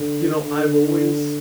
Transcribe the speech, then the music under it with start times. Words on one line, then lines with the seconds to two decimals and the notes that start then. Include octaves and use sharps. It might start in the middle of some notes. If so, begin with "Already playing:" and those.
you know, I've always
Already playing: D3
0.43 D3